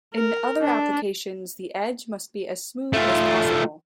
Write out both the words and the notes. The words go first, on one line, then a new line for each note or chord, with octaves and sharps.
In other applications the edge must be as smooth as possible.
A#4
D4
A3 F4